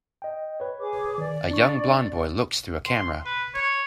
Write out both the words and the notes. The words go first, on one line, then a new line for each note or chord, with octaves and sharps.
A young blond boy looks through a camera.
D#5 G5
B4 C#5
G#4 D6
D#3 D5
D4 C#6
C6
B4
C#5